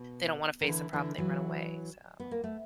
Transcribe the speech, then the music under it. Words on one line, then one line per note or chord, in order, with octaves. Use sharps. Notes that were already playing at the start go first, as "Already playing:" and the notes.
they don't wanna face a problem, they run away. So,
Already playing: B2
D#3
D3 E3
D3 E3
E3 F#3
B3
A#3
A3